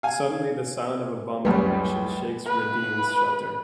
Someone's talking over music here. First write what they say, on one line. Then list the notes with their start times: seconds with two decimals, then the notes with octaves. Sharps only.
Suddenly, the sound of a bomb detonation shakes Radin's shelter.
0.03 F5 G#5
1.45 C#2 F#2 G3 B4
2.46 B4